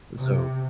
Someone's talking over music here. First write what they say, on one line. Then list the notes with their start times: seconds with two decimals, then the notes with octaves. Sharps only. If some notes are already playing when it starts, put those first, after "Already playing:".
Eh, so
0.17 C3